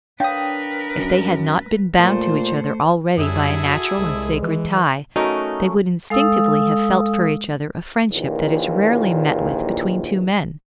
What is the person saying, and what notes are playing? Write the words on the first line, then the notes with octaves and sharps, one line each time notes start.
If they had not been bound to each other already by a natural and sacred tie, they would instinctively have felt for each other a friendship that is rarely met with between two men.
D4 A#4 B4 C#5 F5 G5 D#6
F#2
A#2 A3 C5
F#2 G3 E4 G#4 A4
F#4
C2 G#3
E3
A3 C#4 D#4 F#4 A#4
G#3 A4 F5 D#6 E6
A#1 D#2 A#2 E3